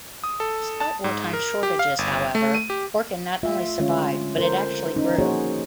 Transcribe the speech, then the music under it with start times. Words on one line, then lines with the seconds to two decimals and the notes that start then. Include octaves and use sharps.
Despite wartime shortages, however, Orkin not only survived, but it actually grew.
0.24 D#6
0.40 A4
0.80 A5
1.04 G#2
1.33 A#4
1.63 G4
1.79 F5
1.99 G1
2.35 A3
2.54 D#7
2.70 G4
3.43 A3 F4 E5
3.79 D3 G#3 C#4 F4 C#5
4.38 A4 A#4 C5
4.96 C#4 D#4
5.19 F3 A#3 F#4 G#4 C5 C#5